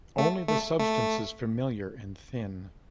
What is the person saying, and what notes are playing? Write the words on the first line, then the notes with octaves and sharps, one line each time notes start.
Only the substance is familiar and thin.
A3
A3
A3